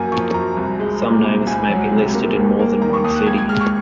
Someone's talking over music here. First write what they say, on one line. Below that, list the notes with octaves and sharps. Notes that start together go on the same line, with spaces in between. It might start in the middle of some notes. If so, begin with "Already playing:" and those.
Some names may be listed in more than one city.
Already playing: F#2 F#3 A#3 G#5 A#5
F3 C#6
F#2 A#5
C2
G#3
A#2
C2
C#2 G#5
F#3
C3
A#3
D#2
A#3
D#3 A#5
C#6
D#2 D#6
F#6
C#2 G#6
G#6
G#3 F6
C#6